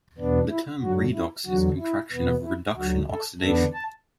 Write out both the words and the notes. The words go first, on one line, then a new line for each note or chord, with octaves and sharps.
The term "redox" is a contraction of "reduction-oxidation".
E2 B2 B3 D4
E4
F#2 D3 F#3 F#4
E4
E2 D3 F#3 F#4
E4
E2 B2 B3
E4
D2 D3 F#3 F#4
A4
E2 D3 B3 D4 A4
A5